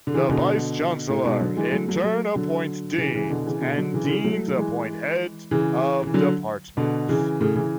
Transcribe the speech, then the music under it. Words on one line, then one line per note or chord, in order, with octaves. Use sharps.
The Vice Chancellor in turn appoints deans and deans appoint heads of departments.
D3
C#3 E3
B2 D3
A2
G#2 B2
D3 F#3
E3 G#3
F#3 A3
F#3 A3
F#3 A3
D3 F#3
C#3 E3
C#3 E3
B2 D3
C#3 E3
B2 D3
D3 F#3
C#3 E3
D3
C#3 E3
F#3 A3
F#3
E3 G#3
C#3 E3
E3
D3 F#3
B2 D3
C#3 E3
A2 C#3
C#3 E3